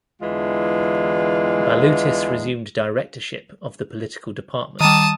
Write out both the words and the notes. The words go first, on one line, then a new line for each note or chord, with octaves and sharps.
Balutis resumed directorship of the Political Department.
E2 D3 E3 G#3 F4
D#3 G3 A5 D#6